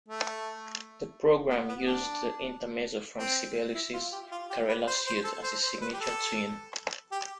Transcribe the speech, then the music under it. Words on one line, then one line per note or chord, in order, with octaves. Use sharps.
The programme used the Intermezzo from Sibelius's "Karelia Suite" as a signature tune.
A3
B3
B3
D4
C4
E4
F4
G4
F4
G4
B4
C5
C5
A4
C5
C5
B4
G4
A4
G4